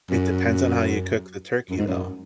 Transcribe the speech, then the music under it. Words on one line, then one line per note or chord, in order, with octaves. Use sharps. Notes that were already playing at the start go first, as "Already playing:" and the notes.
It depends on how you cook the turkey, though.
F#2
F#2
G#2
F#2